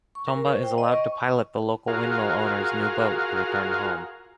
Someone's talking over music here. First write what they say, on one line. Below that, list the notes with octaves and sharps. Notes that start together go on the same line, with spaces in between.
Tomba is allowed to pilot the local windmill owner's new boat to return home.
C#6
A#4
C5
G5
D#5
C#6
F4 F#4 G#4 A#4 F5